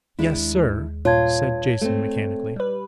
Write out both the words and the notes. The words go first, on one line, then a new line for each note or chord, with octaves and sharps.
"Yes, sir," said Jason mechanically.
D#2 G#3 D4 E4
G2 A#2 F4 C#5 A5 G#6
A3 C4
G3 B4